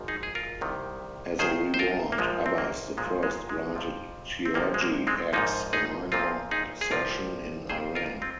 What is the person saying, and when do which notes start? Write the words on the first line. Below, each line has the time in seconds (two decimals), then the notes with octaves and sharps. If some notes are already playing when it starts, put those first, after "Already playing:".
As a reward, Abbas the First granted Giorgi X a minor possession in Iran.
Already playing: G#1 G#2 F3
0.08 D#4 G#4
0.23 G#4
0.35 F4 A#4
0.61 C2 C3 D#3
1.39 D#2 D#3 G#4 C5
1.74 C5
1.79 F4 A#4
2.12 A#3
2.18 A#1 A#2 F3 G#3
2.46 C4
2.58 A#3
2.97 A#1 A#2 F3 G#3
3.23 G#3
3.49 G#3
3.75 F2 C3 F3
4.46 C4
4.54 C2 C3 F3 A#3
4.74 G#3
4.81 A#3
5.07 G#3 C4
5.33 A#1 G#2 F3 A#3 D#4
5.73 D#4 G#4
6.12 A#1 A#2 F3 C4 F4
6.51 D#4 G#4
6.81 G#4
6.91 C2 C3 F3 F4 A#4
7.69 F2 C3 D#3 G#4 C5
7.95 F4 A#4
8.22 C4 F4